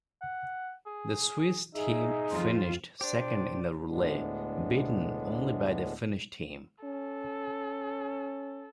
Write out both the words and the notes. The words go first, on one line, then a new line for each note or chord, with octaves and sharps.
The Swiss team finished second in the relay, beaten only by the Finnish team.
F#5
G#4
D#4 G#4 E5
F2 F4 C5
D4 G4 C5 D5
D2 A2 G#3 B3 D4
C#4 A4